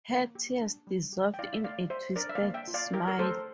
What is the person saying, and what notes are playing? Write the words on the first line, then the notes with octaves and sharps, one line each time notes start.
Her tears dissolved in a twisted smile.
A#3
G4
D4
G3
G4
G5
E4 D5 F5
E5
A3 D5 F5
G4 C5 E5
D4 A#4 D5
E5
D5 F5
A#3
E5 G5
F4
D5 F5
E4 G4 A#4
A#4
A3 A4 C5